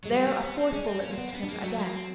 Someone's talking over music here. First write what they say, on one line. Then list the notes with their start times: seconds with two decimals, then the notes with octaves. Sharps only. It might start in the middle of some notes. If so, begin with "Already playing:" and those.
There a fourth bullet missed him, again.
0.04 F#3 G#3
0.12 F3 G3
0.27 F#3
0.42 B3
0.58 C4
0.72 G#3 C#4
0.87 C4
1.00 A#3 C#4
1.12 C4
1.18 B3
1.27 A#3
1.33 B3 C#4
1.43 D4
1.48 G#3 A#3
1.63 F#3 A3
1.79 A#3
1.94 C4